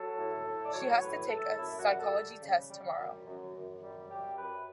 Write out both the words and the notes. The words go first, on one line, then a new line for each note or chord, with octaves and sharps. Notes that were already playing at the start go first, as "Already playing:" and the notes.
She has to take a psychology test tomorrow.
Already playing: F#3 A4
A2
A2
D5
F#3 C#5
A2 B4
A2 A4
F#2 E4
F#4
G3
A4
G3
C#3
G3
F#2
F#2
F#2
G3
F#2 G4
F#2 B4